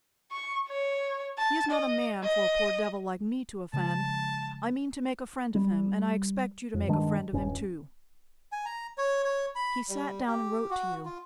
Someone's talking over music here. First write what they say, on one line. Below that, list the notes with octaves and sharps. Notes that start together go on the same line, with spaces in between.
He is not a man for a poor devil like me to offend; I mean to make a friend of him, and I expect you to make a friend of him too.' He sat down and wrote to you.
C#6
C#5
A5
D#5
D#5
C#3 F3 G#3 A5
G3
F2
G2 D#3 G#3 D4
D#1 G2 C#4
G#5
A#5
C#5
C#5
B5
G3
G4
F#4
F4